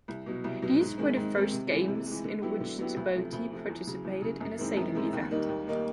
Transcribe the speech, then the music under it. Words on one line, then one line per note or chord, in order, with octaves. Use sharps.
These were the first games in which Djibouti participated in a sailing event.
C2
B2 F#3
C2
B2 F#3
G#2
D#3 G#3 C4
G#2
D#3 G#3 C4
C3
E3 G#3
C3
E3 G#3
D3
F#3 B3 E4 G4
D3
F#3 B3 E4 G4
D2
C3 F3 A3
D2
C3 F3 A3
E2
C#3 F#3
E2
C#3 F#3
F#2
D#3 G#3 C4 E4
F#2
D#3 G#3 C4 E4
D#2
D#3 G3 A#3 D#4
D#2
D#3 G3 A#3 D#4